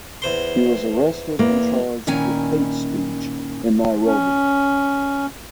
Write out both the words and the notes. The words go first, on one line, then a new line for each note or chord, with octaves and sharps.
He was arrested and charged with hate speech in Nairobi.
E2 C5 C6
E2 A#3
A#2 D#3 C#4 E4 G#5 A#5
C#4